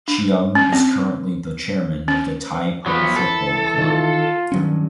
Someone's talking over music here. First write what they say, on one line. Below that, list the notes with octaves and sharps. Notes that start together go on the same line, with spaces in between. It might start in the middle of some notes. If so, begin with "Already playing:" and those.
Cheung is currently the chairman of the Tai Po Football Club.
D4
C#4
C4
C#4
F3 F#3 B3 B5
E3 A4
D#3 F4
G2 D#3 F#3 C#4